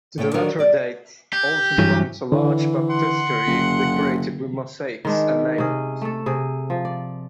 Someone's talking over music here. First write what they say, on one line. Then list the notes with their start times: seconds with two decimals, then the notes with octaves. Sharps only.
To the latter date also belongs a large baptistery decorated with mosaics at Naples.
0.18 A2 A3 C#5 G5
0.34 D3 D#3 F#3 D4 A#4 C#5
0.59 G3 D5
1.33 G4
1.78 G2 E3 F#3
2.32 D3 E3
2.90 F#5 C6
3.47 F#1
5.05 D#3 G#3 D4
5.58 C3 C#4 G#4
6.02 A3 A4
6.26 C3 G#4
6.70 F3
6.85 D5